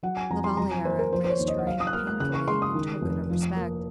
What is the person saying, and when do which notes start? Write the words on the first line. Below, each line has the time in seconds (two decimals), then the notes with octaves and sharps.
La Valliere raised her head painfully in token of respect.
0.03 F#3 F#5
0.17 G#5
0.30 F2 A#5
0.44 C6
0.57 F#3 A#5
0.72 G#5
0.85 A#3 C5
0.99 A#4
1.12 F3 C5
1.24 C5
1.30 C#5
1.39 D#2
1.48 D#5
1.59 F#5
1.67 F#3 F5
1.80 D#6
1.87 F#6
1.93 A#3 F6
2.07 F#6
2.20 C#3 F#6
2.34 C#6
2.48 G#3 C6
2.62 D#6
2.74 D#3
3.02 F1
3.29 F3
3.56 A#3